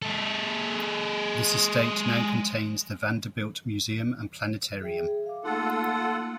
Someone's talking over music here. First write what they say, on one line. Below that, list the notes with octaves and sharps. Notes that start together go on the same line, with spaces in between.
This estate now contains the Vanderbilt museum and planetarium.
G#3 A4
G#4 E5 G5
F5 D6
A3 A#3 D#4 F4 A4 F#5